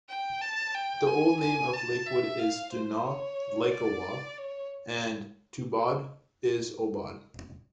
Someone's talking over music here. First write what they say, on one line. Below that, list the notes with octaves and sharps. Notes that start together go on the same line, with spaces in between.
The old name of Lakewood is Danaw Likowai and Tubod is Obod.
G5
A5
G5
G#5
G#5
A5
E5
F5
C5
C#5
D5
C#5